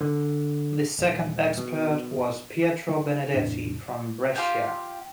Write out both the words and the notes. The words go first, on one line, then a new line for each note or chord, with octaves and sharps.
The second expert was Pietro Benedetti from Brescia.
D3
D#1
B2
E1 C2 A2 D4
F4 G4 F5 G5